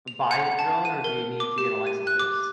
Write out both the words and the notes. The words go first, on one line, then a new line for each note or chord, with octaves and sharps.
Buy a drone or do you need to get a license first?
F7
F#5
A5
D#7
A#4
D6
G4
D#7
F#6
D6